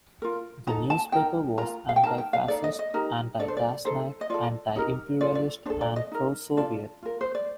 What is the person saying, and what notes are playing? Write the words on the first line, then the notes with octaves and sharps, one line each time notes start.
The newspaper was anti-fascist, anti-Dashnak, anti-imperialist and pro-Soviet.
F4 A#4
D#4 A4 A#5
A5
D#4 A#4 G5
F4 A#4 A#5
F5
G5
D#4 A#4 A5
G5
F5
D#4 A4 D5
D#5
D#5
D#4 G4 A#4
D4 A4 D5
C5
D5
D#4 A4 C5
D#5
F4 A4 D5
D#4 G4 A#4
F4 A4 D5
D5
D4 A4 C5
D5
D#5
D#4 A#4
D4 F4 A4 D5
F4 A#4
C5
D5